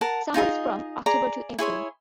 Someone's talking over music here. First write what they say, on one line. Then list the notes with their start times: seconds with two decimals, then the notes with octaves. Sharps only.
Summer is from October to April.
0.01 A#4 F#5 A5
0.34 D#4 F4 G#4 D#5
1.06 G#4 D5 A#5
1.59 E4 G#4 C#5 C6